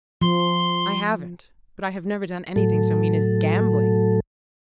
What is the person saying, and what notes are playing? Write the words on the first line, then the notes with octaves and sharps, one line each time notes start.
I haven't; but I have never done anything so mean as gambling.
F3 C6
A2 F#3 A4